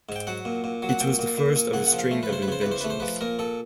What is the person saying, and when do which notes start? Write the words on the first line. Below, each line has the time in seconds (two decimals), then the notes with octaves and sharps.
It was the first of a string of inventions.
0.09 G#2
0.16 G5
0.27 F#3 F#5
0.45 A#2
0.64 A#2
0.82 F#3
0.89 F#5
1.00 A#2 G5
1.19 A#2
1.38 A#2
1.56 A#2
1.73 C#3 F#5
1.86 F#5
1.92 F3
1.99 F5
2.11 A3
2.23 B4
2.29 C#3 C5
2.42 B4
2.48 C#3 C5
2.61 B4
2.66 E2
2.72 C5
2.81 A3 B4
2.90 C5
3.00 F3 B4
3.21 A#2 A#4
3.39 A#2 A4